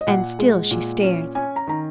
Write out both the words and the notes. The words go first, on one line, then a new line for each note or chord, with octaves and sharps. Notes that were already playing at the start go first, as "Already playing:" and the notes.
And still she stared.
D#5
A#2 F#5
G#3
A#2
C#4
C#4 G#5
A#5
D#3 A#5